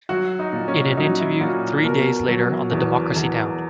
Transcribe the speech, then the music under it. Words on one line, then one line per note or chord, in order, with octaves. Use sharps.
In an interview three days later on the Democracy Now!
F#3 F#4
D#4
A#2
C#4
F#3 D#4
E4
A#2 F#4
B2 A#4
F#3
E2
E2